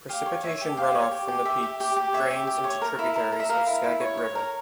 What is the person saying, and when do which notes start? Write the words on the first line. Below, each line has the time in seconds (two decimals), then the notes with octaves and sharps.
Precipitation runoff from the peaks drains into tributaries of Skagit River.
0.09 G4 F5
0.26 C#5
0.43 C#5 E5
0.61 G4
0.77 G4 F5
0.95 C#5
1.11 G4
1.28 G4
1.45 G4 E5
1.63 G4
1.80 G4
1.96 G4
2.13 C#5 E5
2.31 G4
2.47 G4
2.64 C#5
2.82 A#4
2.99 E4
3.16 A#4
3.32 A#4
3.40 E5
3.49 A#4 F5
3.67 E4
3.83 E4
4.00 C#5
4.17 C#5
4.35 A#4